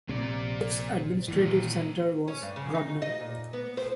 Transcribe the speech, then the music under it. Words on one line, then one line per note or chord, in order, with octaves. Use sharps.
Its administrative centre was Grodno.
A#1 C3 A#3 D5
G#1 A#2 D#3 E3
C#4
G2
C#3
D#4
D#5
A#2
B3
C5